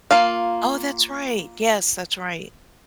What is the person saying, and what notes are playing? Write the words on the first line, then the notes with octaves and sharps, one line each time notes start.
Oh, that's right, yes, that's right.
A#3 F4 F5